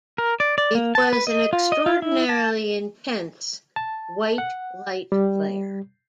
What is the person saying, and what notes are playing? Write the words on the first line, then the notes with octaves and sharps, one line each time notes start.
It was an extraordinarily intense "white light flare".
A#4
D5
D5
A#3
A5
B4
D#5
F4
D#5
F4
E4
A5
A5
F#5
G3